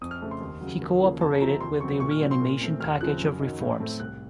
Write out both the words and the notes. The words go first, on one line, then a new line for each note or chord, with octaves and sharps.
He cooperated with the Reanimation Package of Reforms.
F2 D#6
F6
C#3 A3 C4
C6
D#2
C#3 F#3
D#2
C#3 F3 A#3
F2 A5
C3 F3 C4 A#5
D#2 C6
C#3 F#3 C4 C#6
A#2 C#6
F6
F#3 C4
C6
A#2
A3 C4
D#2 F6
C#3 F3 C4 F#6
F#2
D#3 F#3
A2
A3 C4
C2 F#6